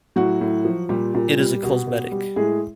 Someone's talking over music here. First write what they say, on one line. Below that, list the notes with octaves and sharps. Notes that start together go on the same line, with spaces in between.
It is a cosmetic.
A2 F#3 F#4
A2
F3
A#2 G3 G4
A#2
G3
B2
B2
G3
A2 G#3 G#4